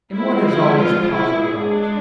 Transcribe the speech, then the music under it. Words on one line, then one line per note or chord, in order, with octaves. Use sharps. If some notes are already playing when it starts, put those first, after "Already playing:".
And what is all this pother about?
F3 G#3 C4 E4
E4
F4
E4
G#3 D4 G#4